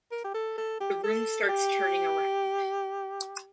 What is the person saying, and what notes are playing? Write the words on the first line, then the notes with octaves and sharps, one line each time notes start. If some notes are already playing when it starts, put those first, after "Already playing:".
The room starts turning around.
A#4
G4
A4
A4
G4
A4
G4